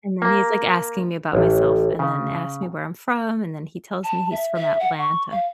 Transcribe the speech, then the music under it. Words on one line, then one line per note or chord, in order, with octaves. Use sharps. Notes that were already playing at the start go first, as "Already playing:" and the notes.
And then he's, like, asking me about myself and then asked me where I'm from, and then he tells me he's from Atlanta;
A#3
A1
C#3
A5
E5
E5
F#5
C#6
F5